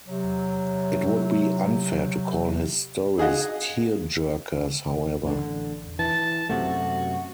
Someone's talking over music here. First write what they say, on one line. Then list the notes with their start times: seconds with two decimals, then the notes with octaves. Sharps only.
It would be unfair to call his stories tearjerkers however.
0.07 C3 F#3
3.18 D#4 G#4 D#5 F#5
5.24 A1 D3
5.99 E3 A5
6.49 F#2 C3 A3 F#4